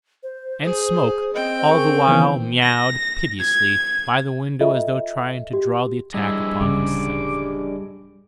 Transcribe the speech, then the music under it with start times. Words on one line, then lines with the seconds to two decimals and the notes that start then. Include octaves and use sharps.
And Smoke all the while meowed piteously by the window as though trying to draw the attack upon himself.
0.23 C5
0.63 G#4
1.34 C4 D#5 G5
1.69 G#4 A#4 C#6
2.07 D#3 E3 B3
2.62 A#6
3.40 G#6
4.61 F4 A4 D#5 E5
5.53 G4
6.14 G3 D4 E4 G#4 D#5
6.61 D1 G2 C#3 D6